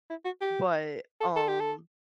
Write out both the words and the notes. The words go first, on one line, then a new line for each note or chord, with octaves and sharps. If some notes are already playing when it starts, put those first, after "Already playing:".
but, um,
E4
F#4
G4
A4
A4
G4
A4